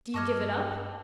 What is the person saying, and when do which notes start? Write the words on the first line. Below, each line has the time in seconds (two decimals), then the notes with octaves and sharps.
"Do you give it up?"
0.14 G2 A4 D#5 C#6 D6 F6 G#6
0.54 G5